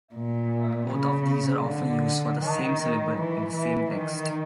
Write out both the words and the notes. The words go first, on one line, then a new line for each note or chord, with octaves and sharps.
Both of these are often used for the same syllable in the same text.
A#2
C#3
D3
D#3
E3
E3
D#3